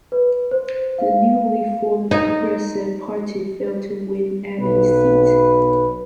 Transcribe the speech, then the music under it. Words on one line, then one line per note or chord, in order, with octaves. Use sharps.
The newly formed Progressive Party failed to win any seats.
B4
C5
F5
D#4
B1 B4